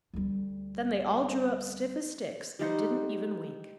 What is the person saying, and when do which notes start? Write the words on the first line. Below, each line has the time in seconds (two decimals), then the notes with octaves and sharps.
Then they all drew up stiff as sticks, and didn't even wink.
0.13 D2 G3
2.59 G3 D#4 C5 F#5